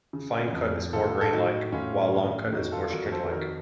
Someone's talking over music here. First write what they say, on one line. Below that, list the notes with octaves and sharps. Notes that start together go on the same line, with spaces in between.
Fine cut is more grain-like, while long cut is more string-like.
C#3
F2
A2 F4 A4
A4
A2 D#4 F#4
A2 C#4 F4
F3
F2 D#4 F#4
F4 A4
F2 F#4 A#4
A4 C5
D#3 F#4 A#4